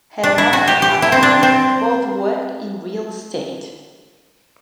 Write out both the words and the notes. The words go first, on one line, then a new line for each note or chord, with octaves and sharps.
Her mother and father both work in real estate.
D4
E4
F#4
G4
G4
E4
C4
D4
C4